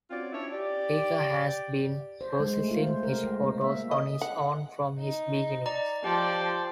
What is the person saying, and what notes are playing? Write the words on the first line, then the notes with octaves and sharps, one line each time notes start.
Plicka has been processing his photos on his own from his beginnings.
C4 C#4 F4 F#4 D5
C#4 D4 E4 C#5
G4 D5
C5
G#3
A3
F4
C5
A#4
G#3
A#3
E5
D#5
F#5
D#4
D5 A#5
F3 G4 C5 D5 G5 A5